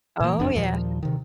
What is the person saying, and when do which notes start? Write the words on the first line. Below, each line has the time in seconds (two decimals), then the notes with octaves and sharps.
Oh, yeah.
0.20 A#2 E3 A#3
0.39 F#1 F2 D4
0.55 D#2 A#2 F3
1.03 C3 D#3